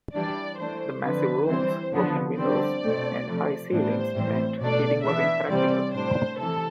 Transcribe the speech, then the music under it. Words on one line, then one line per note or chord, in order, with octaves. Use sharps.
The massive rooms, open windows and high ceilings meant heating was impractical.
E3 G3 D4 D5
E3 A3 D4 C5
D3 F3 C4 B4
E3 G3 C4 C5
D3 F3 B3 D4
D3 G3 C4 D5
B2 A3 C4
C3 F3 A3
A2 E3 G3 B3 D4 C5
A2 E3 G3 C4
B2 A3 D4 D5
E3 B3 D4 E5
C3 E3 G3 C4 D5
A2 G3 D4 C5
C3 E3 A4